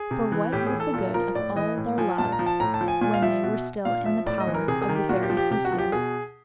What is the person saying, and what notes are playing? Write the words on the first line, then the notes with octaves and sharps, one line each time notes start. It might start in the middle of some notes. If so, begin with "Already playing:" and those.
For what was the good of all their love when they were still in the power of the fairy Soussio?
Already playing: G#4
C3
E3
A2 G4
G#4
E3
A4
A#2 A4
F3 A#4
A2 D5
E3 D#5
A2
F3 G#5
A#2 A5
A#5
F3
A5
A2 A#5
A5
F3
G#5
A#2 G#5
F5
F3 E5
B2
A#2 F5
F3 E5
A2 D5
D#5
E3
A#4
C3 G#4
G#4
D#3
G4
A#2 F#4
G4
F3
G4
C3 G4
F#4
F3
G4
B2 G#4